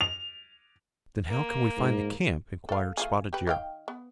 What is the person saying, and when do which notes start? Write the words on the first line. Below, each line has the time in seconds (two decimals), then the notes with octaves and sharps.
"Then how can we find the camp?" inquired Spotted Deer.
0.01 F7
1.30 A#3
1.77 G#2
2.69 A4 F5
2.97 A3 F4 G#4
3.33 G4 B4
3.47 D#3 F5 G5
3.88 B3